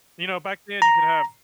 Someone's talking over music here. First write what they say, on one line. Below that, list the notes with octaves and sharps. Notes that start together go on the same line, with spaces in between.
You know, back then, you could have
A#5